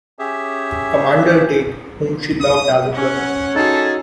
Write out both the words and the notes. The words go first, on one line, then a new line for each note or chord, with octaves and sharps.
Commander Date, whom she loved as a brother.
C#4 G4 G#4 E5
D#6
C#4 F#5
D#4 F4 F#4 G#4 A4